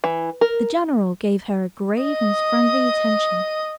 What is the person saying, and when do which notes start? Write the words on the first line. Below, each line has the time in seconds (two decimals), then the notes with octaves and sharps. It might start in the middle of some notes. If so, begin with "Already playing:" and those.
The General gave her a grave and friendly attention.
0.04 E3
0.41 A#4
2.02 D#5 D#6